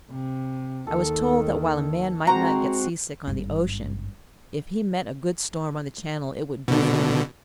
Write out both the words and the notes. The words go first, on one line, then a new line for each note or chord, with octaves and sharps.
I was told that while a man might not get seasick on the ocean, if he met a good storm on the Channel it would do for him.
C3
D#2 D#3 A4
G#3 C4 F#4 C5 A#5
G#1 G2
B2 D3